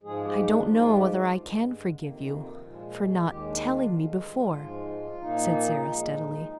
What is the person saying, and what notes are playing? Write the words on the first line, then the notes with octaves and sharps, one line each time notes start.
"I don't know whether I can forgive you for not telling me before," said Sara steadily.
G#2 F3 G#3 G#4
G4
D#4
D4
G#2 F3 G#3 F4
G4
F4
G2 D3 G#3
F2 C3 D#3 A#3
A#2 F3 G#3
D#2 D#3 G#3 G4
D4
F4
G2 D3 G#3
G#2 F3 G#3
A#2 F3 A#3 D#4
A#2 F3 G#3